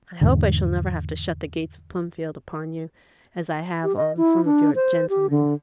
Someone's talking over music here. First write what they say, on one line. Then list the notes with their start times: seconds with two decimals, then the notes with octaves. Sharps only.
I hope I shall never have to shut the gates of Plumfield upon you, as I have on some of your "gentlemen".
0.21 E2 G#2 D3
3.84 G4
3.97 D#5
4.17 E4
4.45 D4
4.75 C5
5.09 G4
5.30 D3